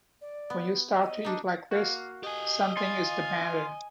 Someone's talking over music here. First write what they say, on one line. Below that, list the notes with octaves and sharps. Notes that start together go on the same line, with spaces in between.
When you start to eat like this something is the matter.
D5
B3
D#5
D4 D#4
A#3 F#4 F5
G4 D#5 G#5
F4 G#5